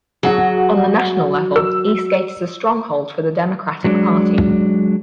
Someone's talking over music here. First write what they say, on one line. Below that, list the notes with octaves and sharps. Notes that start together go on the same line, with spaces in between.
On the national level, Eastgate is a stronghold for the Democratic Party.
F#3 F#4 G#4
A#4 E6
F#3 G#3 D4